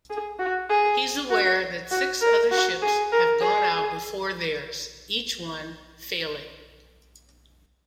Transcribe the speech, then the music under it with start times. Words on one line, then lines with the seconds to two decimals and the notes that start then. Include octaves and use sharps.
He's aware that six other ships have gone out before theirs, each one failing.
0.10 G#4
0.39 F#4
0.70 G#4
1.30 F#4
1.91 F#4
2.21 A#4
2.51 F#4
2.82 G#4
3.12 A#4
3.42 G#4